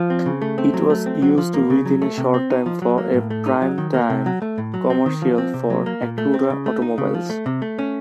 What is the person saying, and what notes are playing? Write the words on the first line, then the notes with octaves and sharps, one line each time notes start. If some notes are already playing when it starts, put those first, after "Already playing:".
It was used within a short time for a prime-time commercial for Acura automobiles.
Already playing: F3
C4
C#3
A3
C4
F#3
A3
C4
F#3
F3
A#3
C#3
F#3
A3
C3
C4
D#4
F3
F#3
A#3
A2
A3
D#4
F#3
D#3
A#3
C3
F#3
A3
A2
F#3
C4
D#3
F3
C4
C3
F#3
A#3
A#2
A3
C4
C#3
A3
D#4
C#3
F3
A3
C3
A3
C#4